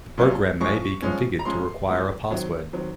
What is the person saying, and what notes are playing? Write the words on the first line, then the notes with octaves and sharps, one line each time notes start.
The program may be configured to require a password.
A#2 F#3 C#4
F3 G#3 C#4 C#6
F3 G#3 C#4
A#5
F3 G#3 C#4 C6
F3 G#3 C#4
D#3 F#3 C4
D#3 F#3 C4